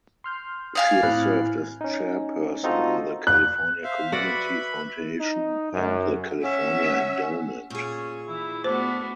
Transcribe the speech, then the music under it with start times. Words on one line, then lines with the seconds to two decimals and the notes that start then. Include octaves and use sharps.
She has served as chairperson on the California Community Foundation and The California Endowment.
0.24 C6 F6 G6
0.75 D5 F5 G#5 D#6 C7
1.03 A2 C4 E4 B5 F6 F#6
1.81 C#4 D#4
2.63 C4 D#4 F4 F#4 A4 A#5
3.27 F#6
3.84 C5 E5 F5
4.12 F#4 B4 D5 E5 F#5 B5
5.20 D#4
5.73 F#2
6.43 C#4 E5 F#5
7.70 A#2 C#4 G#4
8.28 E3 E4
8.64 A3 B3 D4 F#4 C5